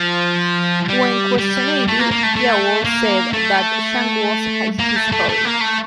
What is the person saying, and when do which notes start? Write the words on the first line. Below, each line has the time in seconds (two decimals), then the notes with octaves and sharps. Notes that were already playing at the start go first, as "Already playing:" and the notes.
When questioned, Diawol said that junk was his hobby.
Already playing: F3
0.89 G3
1.38 G3
1.88 A3
1.99 A#3
2.11 A#3
2.23 A3
2.36 A3
2.85 A#3
3.33 A3
4.79 A#3
4.96 A3
5.12 A3
5.29 A3
5.45 A#3
5.61 A3